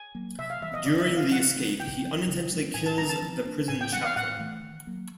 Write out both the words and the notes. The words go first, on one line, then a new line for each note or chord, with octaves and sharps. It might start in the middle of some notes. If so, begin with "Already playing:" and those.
During the escape he unintentionally kills the prison chaplain.
Already playing: G#5
F#3 A#3
C3 E5
F5
E3 G3 E5
D#5
E3 D5
E5
G3 B3
F5
C#3 F#5
F3 A3
C#3 G5
F3 A#3 D4
C#3
F3 G#3 C4
A2 G#5
A5
E3 G3 C4 A#5
A5
F3
A#3 D4
A2 G#5
G5
E3 G3 B3 F#5
F5
A2 F#5
E3 A3
D#3
F#3 A#3